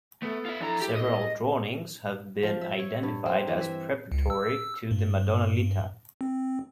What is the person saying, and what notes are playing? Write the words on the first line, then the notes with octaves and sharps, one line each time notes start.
Several drawings have been identified as preparatory to the "Madonna Litta".
A3 B3 A4
F4 E5
F2 D4 E4 A4 A#5
G4
D#5
F3
E5
C#5
G2
C4
E3
E5
C#2
E6
G2
C4